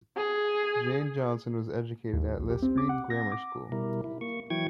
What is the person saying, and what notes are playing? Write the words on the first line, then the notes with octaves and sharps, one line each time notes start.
Jane Johnson was educated at Liskeard Grammar School.
G#4
D#2
A#1
G4
C4
D6
F#5
A#6
D6
B2 G3 E4 A#4
E4
A#3 C#6
E3 F#3 E4 G5 C#6 G#6